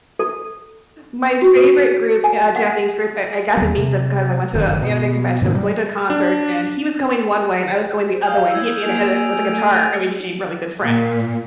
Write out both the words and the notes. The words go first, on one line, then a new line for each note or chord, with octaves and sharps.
My favorite group uh, Japanese group, I I got to meet them 'cause I went to a anime convention. I was going to a concert, and he was going one way, and I was going the other way, and he hit me in the head, like, with a guitar, and we became really good friends.
A4
F#4
G#5
F#5
D#2 G3
C3
F#1 G2 D#3
B2
G#2 C3 D#3 A#3
G3
D4
C5
F5 D#6 F6 G6
E4 E6 G#6
A#3 G#5 D7 F7
A3
D#7
A#2